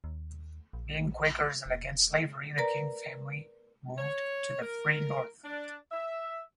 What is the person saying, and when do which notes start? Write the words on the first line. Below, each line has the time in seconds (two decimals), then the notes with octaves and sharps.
Being Quakers and against slavery, the King family moved to the free North.
0.04 D#2
0.73 A#1
1.66 E1
2.58 A#4 B4 D5 A#5
3.98 C#5
4.61 A#4
5.44 D4
5.92 E5